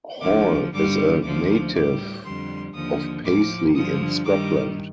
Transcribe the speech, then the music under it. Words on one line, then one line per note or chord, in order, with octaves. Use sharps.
Hall is a native of Paisley in Scotland.
D2 D3 F3 D6
G2 D3 G3 D6
D2 D3 F3 D6
A2 G3 D6
F2 D3 G3 C6
D#2 D3 F3 D#6
A2 F3 D6
G2 D3 F3 D#6
G2 D#3 G3 D6